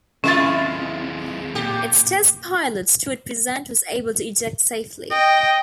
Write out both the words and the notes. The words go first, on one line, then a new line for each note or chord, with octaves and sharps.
Its test pilot, Stuart Present was able to eject safely.
D#2 G#3 C4 C#4 E4 F4 A6
A#2 G4
D#5 G5